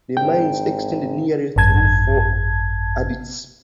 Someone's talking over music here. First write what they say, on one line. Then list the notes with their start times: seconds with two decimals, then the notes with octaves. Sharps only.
The mines extended nearly through four adits.
0.17 G#1 G5
1.56 G#1 F#2 A5 G#6